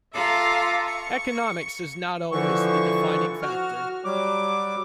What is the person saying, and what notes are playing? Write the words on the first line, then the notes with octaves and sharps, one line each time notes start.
Economics is not always the defining factor.
F4 A4 E5 A#5 D6
C#6
D3 E3 F3 C#6
F#4 F6
F#3 G3 D6